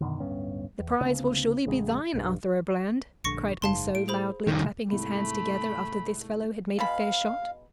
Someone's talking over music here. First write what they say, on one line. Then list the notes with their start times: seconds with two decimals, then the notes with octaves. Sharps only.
"The prize will surely be thine, Arthur-a-Bland," cried Monceux, loudly clapping his hands together after this fellow had made a fair shot.
0.01 F#2 B2 D3 D#3
0.20 D1 G2 B3 C#4
0.80 E2
1.01 D2 C#3 B3 C4
1.67 A1 C#3 G#3
2.14 B1 G2
3.24 A#1 G2 D3 C#6 A#6 C#7
3.62 F#1 G#2 F5 A5 C6
3.95 A2 D7
4.08 G#4 C5 B5
4.47 F1 C2 D#3
4.91 C2 G#2 A3 B5
6.79 B2 G#3 F5 B5